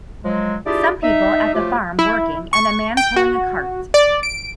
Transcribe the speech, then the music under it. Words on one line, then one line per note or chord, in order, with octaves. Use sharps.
Some people at the farm working and a man pulling a cart.
F3 F#3 G#3
D4 E4 F4 G4 G#4 D5
D#4 E5
F3 F#3 A3 F4 G4
E4
C#6
G5
F#4
D5
D7